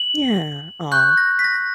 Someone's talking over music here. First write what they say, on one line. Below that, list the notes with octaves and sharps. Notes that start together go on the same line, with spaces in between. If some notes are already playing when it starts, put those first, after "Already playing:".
Yeah, aw.
Already playing: F#7
C#6 F#6 G6
A#6
B6
A#6